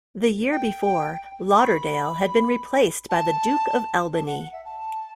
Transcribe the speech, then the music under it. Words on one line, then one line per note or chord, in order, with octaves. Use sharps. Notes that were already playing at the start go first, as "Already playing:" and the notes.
The year before, Lauderdale had been replaced by the Duke of Albany.
G5
C#6
B5
A5
A5
F#5
F#5
E5
A5